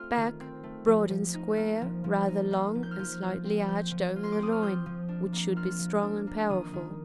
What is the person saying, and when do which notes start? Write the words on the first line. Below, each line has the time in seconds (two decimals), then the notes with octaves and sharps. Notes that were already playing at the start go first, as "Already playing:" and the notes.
BACK--Broad and square, rather long and slightly arched over the loin, which should be strong and powerful.
Already playing: A3 C4 F4 F6
0.17 D#3
0.40 C4
0.63 A3
0.87 F3
1.10 F3
1.34 D#4
1.57 A#3
1.81 F3
2.04 F3
2.28 D#4
2.51 A#3
2.75 F3
2.83 G6
2.91 F6
2.99 F3 G6
3.22 F4
3.45 C4
3.68 F3 G6
3.91 F3
4.16 F4
4.23 C6
4.32 D6
4.38 C4 D#6
4.52 F6
4.62 F4 G6
4.86 F3
5.09 D4
5.33 A#3
5.56 F4 F6
5.79 F3
6.03 D4
6.27 A#3
6.49 D#3 D#6
6.73 D#3